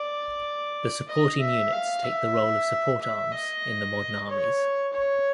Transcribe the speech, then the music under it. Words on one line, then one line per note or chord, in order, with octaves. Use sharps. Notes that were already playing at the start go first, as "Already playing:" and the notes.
The supporting units take the role of support arms in the modern armies.
Already playing: D5
D#5
E5
F5
E5
E5
D#5
C#5
C#5